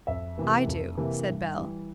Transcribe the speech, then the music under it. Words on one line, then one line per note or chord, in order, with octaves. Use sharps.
"I do," said Bell.
F2 E5
C3 E3 A#3
F2
C3 E3 A#3
G2
E3 G3